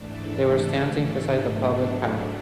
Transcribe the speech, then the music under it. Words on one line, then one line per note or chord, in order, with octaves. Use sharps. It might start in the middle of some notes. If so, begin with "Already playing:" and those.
They were standing beside the public path.
Already playing: G#2 E3 A3 D4 A4
G#2 F#3 A3 D4